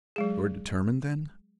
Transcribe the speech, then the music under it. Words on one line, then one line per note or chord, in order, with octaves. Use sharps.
"You are determined then?"
F#3 G#3 G#4